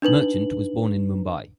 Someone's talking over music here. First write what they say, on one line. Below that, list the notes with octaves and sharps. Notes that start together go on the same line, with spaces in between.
Merchant was born in Mumbai.
D4 D#4 B4 F#7